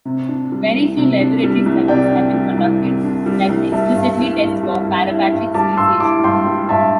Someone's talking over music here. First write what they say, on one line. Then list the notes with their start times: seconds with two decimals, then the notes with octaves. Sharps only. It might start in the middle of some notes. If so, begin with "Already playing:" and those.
Very few laboratory studies have been conducted that explicitly test for parapatric speciation.
0.05 C3
0.28 D4
0.52 G3
0.74 C2
0.97 C3
1.20 D4
1.43 G3
1.66 C2
1.88 C3 D5 G5
2.12 D4
2.34 G3
2.57 C2
2.80 C3
3.03 D4
3.26 G3
3.49 C2
3.72 G3 E5 A5
3.95 G2
4.17 E4
4.41 G2
4.63 G3
4.87 G2
5.09 E4
5.32 G2
5.54 G3 A5 D6
5.77 G2 C6 E6
6.00 E4 A5 D6
6.24 G2 G5 C6
6.46 G3
6.69 G2 E5 A5